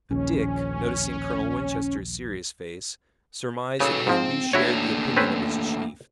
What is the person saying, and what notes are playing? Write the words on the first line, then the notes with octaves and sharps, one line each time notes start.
But Dick, noticing Colonel Winchester's serious face, surmised that he at least shared the opinion of his chief.
A#1 D#2 C#4
C#3 F#4 A4 B4
G#2 F3 C4
A3 A#3 D4 E4 F#4 C#5
C4 C#4 B4